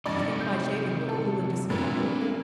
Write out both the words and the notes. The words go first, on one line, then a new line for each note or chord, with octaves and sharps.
You think my shaving will cool and disencumber you?
A#1 E2 G2 C3 D#4 D5
G6
A4
A#2 C4 D4 B4 G5
A#3